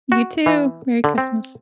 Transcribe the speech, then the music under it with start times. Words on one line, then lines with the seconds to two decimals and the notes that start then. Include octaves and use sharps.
You too, Merry Christmas.
0.12 F#4
0.46 E3
1.04 D3
1.18 C4